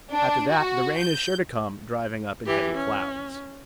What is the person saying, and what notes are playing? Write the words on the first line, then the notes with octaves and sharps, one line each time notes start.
After that the rain is sure to come driving up in heavy clouds.
D4
F#4
G6
E3 G4
C#4